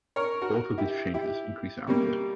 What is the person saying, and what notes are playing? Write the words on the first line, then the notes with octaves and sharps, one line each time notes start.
Both of these changes increase output.
A#4 C#5
F#4 A#4
E4 G4
E4 G4
B2 G3 A#3